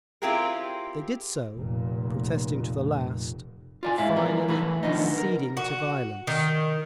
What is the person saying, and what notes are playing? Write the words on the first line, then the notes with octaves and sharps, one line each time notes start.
They did so, protesting to the last, but finally "ceding to violence."
C4 E4 F4 G4 G#4 A#4
F1 A#2
F4 D5 G#5
G#2 E4 F5
F3 G3 B3 A#4
E2 E3 A3 B4 B5
D3 D#3 F3 B3 C#4 D#4
A#4
F#4
D#3